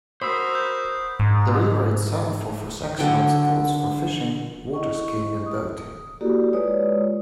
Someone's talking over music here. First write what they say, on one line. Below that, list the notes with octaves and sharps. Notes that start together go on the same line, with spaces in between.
The river itself offers excellent spots for fishing, waterskiing and boating.
F#4 A#4 C5 B5 D#6 E6 C7
G6
G#2
D3 F#3 E5 G5
E4 D#5 C#6
D#6
A#3 E4 F#4 G4 A4 D5
G#3 F4 B4 C#5 D5 D#6